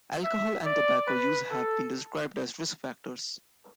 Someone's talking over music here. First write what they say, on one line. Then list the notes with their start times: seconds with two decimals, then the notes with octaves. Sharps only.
Alcohol and tobacco use have been described as risk factors.
0.24 E5
0.66 D5
1.08 B4
1.51 A4